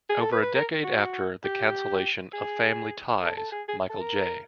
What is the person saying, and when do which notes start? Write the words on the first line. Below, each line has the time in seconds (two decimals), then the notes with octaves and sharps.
Over a decade after the cancellation of "Family Ties", Michael J.
0.10 G#4
0.21 A4
0.32 B4
0.43 B4
0.55 A#4
0.84 F#4
1.44 G4
2.33 G#4
3.23 A4
3.38 A4
3.52 G#4
3.68 G#4
3.90 A4
4.01 A#4